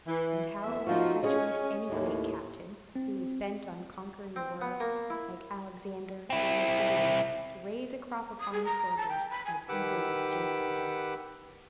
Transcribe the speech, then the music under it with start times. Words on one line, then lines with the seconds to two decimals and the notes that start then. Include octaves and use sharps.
And how it would have rejoiced any great captain, who was bent on conquering the world, like Alexander or Napoleon, to raise a crop of armed soldiers as easily as Jason did!
0.07 E3
0.63 E2 E5
0.87 F3 D#4 F4 F#4
1.23 C#4 G#4 C#5 D#5
1.90 D#2 A2
2.95 C4
4.36 C4
4.61 B3
4.80 A#3
5.10 E4
6.30 C4 E4
8.39 D#6
8.52 G#4
8.64 A#5
8.97 A5
9.09 G5
9.30 B5
9.45 G#5
9.69 D#3 G4 B4 F#5 D6 E6